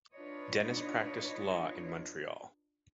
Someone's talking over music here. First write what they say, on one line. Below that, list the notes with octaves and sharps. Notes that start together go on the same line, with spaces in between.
Denis practised law in Montreal.
D4 D#4 F4 B4 C#5 D#5